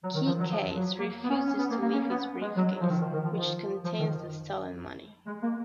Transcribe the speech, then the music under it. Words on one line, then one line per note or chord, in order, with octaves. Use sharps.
Keycase refuses to leave his briefcase, which contains the stolen money.
F#3
D#3
F3
F#3
F3
F#3
A#3
B3
C#4
C#4
B3
A#3
A#3
C#4
B3
G#3
F#3
F3
D#3
D#3
D#3
F3
F3
F3
D#3
G#3
A#3